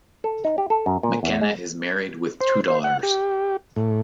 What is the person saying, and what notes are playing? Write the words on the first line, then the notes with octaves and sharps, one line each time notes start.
McKenna is married with two daughters.
A4
D#4
G4
A4
F#2
A#2
E2
G#3
C5
C5
F#5
G4
A2